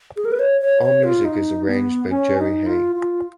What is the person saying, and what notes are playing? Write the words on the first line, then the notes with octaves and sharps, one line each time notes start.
All music is arranged by Jerry Hey.
G#4
A#4
B4
C#5
C#5
C#5
F4
D#4
B3
C#4
D#4
F4
F4